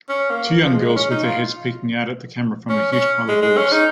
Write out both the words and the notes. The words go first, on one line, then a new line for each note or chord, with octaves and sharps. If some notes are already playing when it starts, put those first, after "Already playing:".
Two young girls with their heads peeking out at the camera from a huge pile of leaves.
C#4
A#3
F3
G#3
C#4
D#4
F4
C#4
C#4
G#3
G#3
C#4
D#4